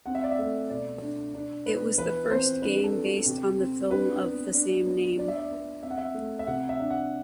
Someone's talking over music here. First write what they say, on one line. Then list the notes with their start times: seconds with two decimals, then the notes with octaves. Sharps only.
It was the first game based on the film of the same name.
0.06 C4 F#5
0.15 E5
0.24 D5
0.31 E5
0.39 A3
0.70 B2 D5
1.02 D4
1.34 D4
1.66 B3 B4
1.98 E3 B4
2.31 C4 C5
2.62 D4 B4
2.79 B4
2.84 A4
2.95 B3
3.06 F#4
3.26 C3 G4
3.59 C4
3.90 D4 B4
4.23 B3
4.54 D4
4.86 B3
5.19 D4 D5
5.28 E5
5.37 D5
5.51 B3
5.83 C4 E5
5.90 F#5
5.98 E5
6.15 A3
6.39 E5
6.47 C3 F#5
6.69 E5
6.80 D4
6.90 F#5